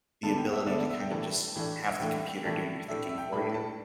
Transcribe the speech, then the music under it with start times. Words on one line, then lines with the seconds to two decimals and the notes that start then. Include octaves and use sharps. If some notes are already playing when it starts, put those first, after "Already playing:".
the ability to kind of just have the computer do your thinking for you,
0.23 D3 B3 D4 A5
0.38 G5
0.52 E5
0.67 D3 B3 D4 D5
0.78 D5
0.89 E5
1.00 G5
1.11 A2 E3 A3 D4 A5
1.56 A2 E3 A3 D4
1.89 E5
2.00 A2 E3 A3 D4 G5
2.44 A2 E3 A3 D4
2.88 A2 A3 D4 E5
3.09 E5
3.18 G5
3.33 A2 A3 D4 B5
3.54 A5